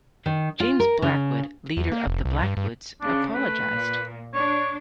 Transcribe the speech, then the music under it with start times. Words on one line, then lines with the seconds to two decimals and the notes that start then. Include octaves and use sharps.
James Blackwood, leader of the Blackwoods, apologized.
0.26 D#3
0.60 F4
0.80 A#4
1.02 C#3
1.77 E2
1.92 A#3
2.07 F1
2.25 C2
2.43 G2
2.57 G2
3.01 C#3 D4
3.34 A3 B4
3.72 A#2
4.34 D4 C#5